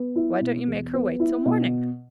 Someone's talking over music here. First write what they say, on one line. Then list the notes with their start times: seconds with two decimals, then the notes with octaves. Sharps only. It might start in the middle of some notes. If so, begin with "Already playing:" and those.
"Why don't you make her wait till morning?"
Already playing: B3
0.16 E4
0.41 B2
0.68 E2
0.94 B3
1.20 E4
1.46 B2